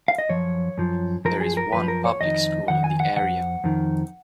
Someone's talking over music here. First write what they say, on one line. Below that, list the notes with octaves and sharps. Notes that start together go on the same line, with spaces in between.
There is one public school in the area.
F5
D#5
F#2 F3 C#5
F#2 F3
F#2 F3 A#4
G#4
A#4
F#2 F3 B4
A#4
C#5
F2 D#3 D#5
F2 D#3 F#5
G#5
F#5
F2 D#3 F#5
F2 D#3